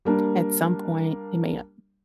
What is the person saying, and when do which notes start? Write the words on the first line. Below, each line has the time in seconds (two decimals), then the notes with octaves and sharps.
at some point, it may not
0.05 G3 A#3 D4